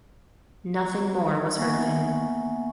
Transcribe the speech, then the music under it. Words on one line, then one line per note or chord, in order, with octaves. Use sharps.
Nothing more was heard of him.
A#3 B3 E5 F#5 G#5 C#6